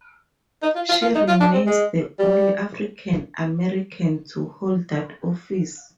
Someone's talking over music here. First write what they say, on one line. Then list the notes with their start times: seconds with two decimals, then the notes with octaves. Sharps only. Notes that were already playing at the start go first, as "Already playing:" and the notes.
She remains the only African American to hold that office.
0.63 D#4
0.75 F4
0.89 F4
1.02 F4
1.15 D#4
1.28 F4
1.41 D4
1.53 C4
1.66 G#3
2.19 G3